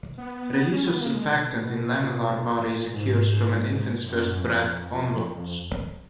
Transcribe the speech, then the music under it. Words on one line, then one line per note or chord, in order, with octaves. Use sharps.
Release of surfactant in lamellar bodies occurs from an infant's first breath onwards.
B3
C#4
B3
A#3
G#3
B2
A#2
A#2
B2
A#2
G#2
F#2
F#2
F2